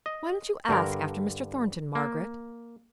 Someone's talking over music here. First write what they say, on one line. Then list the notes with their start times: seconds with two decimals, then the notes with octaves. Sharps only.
Why don't you ask after Mr. Thornton, Margaret?
0.06 D#5
0.69 G2 D3 A#4
1.95 A#3